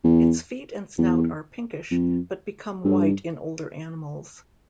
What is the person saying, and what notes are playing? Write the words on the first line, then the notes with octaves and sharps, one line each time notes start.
Its feet and snout are pinkish, but become white in older animals.
E2
E2
F2
G2